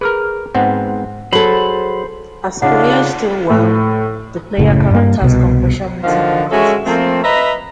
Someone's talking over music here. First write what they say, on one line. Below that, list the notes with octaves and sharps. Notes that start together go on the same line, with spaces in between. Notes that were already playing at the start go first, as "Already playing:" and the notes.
As players do well, the player character's composure meeting increases.
G#4 A#4 B4 F6
G#2 B3 C4 F#5
F#3 G#4 A4 C5 B5
C#3 D4 D#4 F4 F#5
A2
F#1 A2 C#3
G2 A#3
C2 B2
D3 D#3 F3 F4 F#4
G#3 C#4 F#4 A4 E5
F3 A3 A#3 C4
B4 D#5 E5 A#5